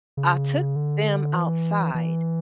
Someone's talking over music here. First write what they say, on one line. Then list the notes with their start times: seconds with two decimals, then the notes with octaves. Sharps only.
I took them outside
0.17 C#3
0.76 D3
1.35 E3
1.95 E3